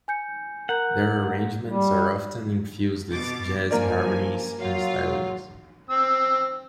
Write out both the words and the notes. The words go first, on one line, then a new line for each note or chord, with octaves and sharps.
Their arrangements are often infused with jazz harmonies and stylings.
G#5 G6 C#7
A#4 F#5 A#5 G6
G3
B2 D6 A6
G2 F3 A#3 A#4 D5 G#5
F#3 F4 F5
C4 E6